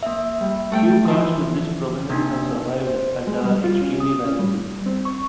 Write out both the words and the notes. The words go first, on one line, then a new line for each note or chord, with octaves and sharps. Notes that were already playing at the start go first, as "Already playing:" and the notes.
Few cars with this provenance have survived and are extremely valuable.
A#3 E5
G3
A3 F#5 G5
E3 F3 E4
C3 A#3 D4 D#4
C5
G#3
G3
F4
C#4
D#6
C#4
G3
C4
C#6